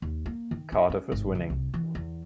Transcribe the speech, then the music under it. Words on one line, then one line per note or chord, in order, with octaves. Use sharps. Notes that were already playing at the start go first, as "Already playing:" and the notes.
Cardiff is winning.
D#2
A#3
D#3
D#4
C#4
G#1
C#2
C2
E3
E2